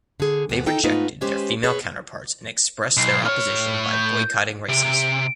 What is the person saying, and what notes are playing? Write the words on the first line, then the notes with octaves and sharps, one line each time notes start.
They rejected their female counterparts and expressed their opposition by boycotting races.
D3 G#4
D#2 G#2 B3
D#4 A4 G5
G#2 A3 B3 D#4 F4
G#3 C#4 G4 B4 C5
G#4 B4 C#5
B1 C7
A2 C#5 F6
G6
C3 D7